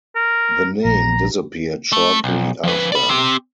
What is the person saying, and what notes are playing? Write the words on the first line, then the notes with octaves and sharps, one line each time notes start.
The name disappeared shortly after.
A#4
A#1 A#5
A3
B1
F3 B4
D5 B5
C4 G4